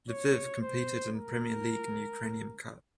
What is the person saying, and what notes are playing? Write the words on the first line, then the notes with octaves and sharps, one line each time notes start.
Lviv competed in Premier League and Ukrainian Cup.
C#5
C5
A#4